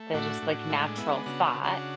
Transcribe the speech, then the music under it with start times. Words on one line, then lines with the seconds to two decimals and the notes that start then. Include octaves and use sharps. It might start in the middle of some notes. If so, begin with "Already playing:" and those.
the just, like, natural thought,
Already playing: A3
0.14 A2 D4 F#4
0.42 A2
0.70 G#3 E4
0.84 D4
0.97 B3 E4
1.13 D4
1.26 C#3 D4 F#4
1.45 D4 F#4
1.54 C#3
1.63 D4 F#4